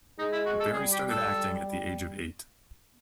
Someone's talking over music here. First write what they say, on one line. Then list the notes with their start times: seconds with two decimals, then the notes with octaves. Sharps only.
Berry started acting at the age of eight.
0.19 G#3 D#4
0.32 E4
0.46 F#4
0.60 A4
0.73 G3 G#4
0.92 G4
1.10 A4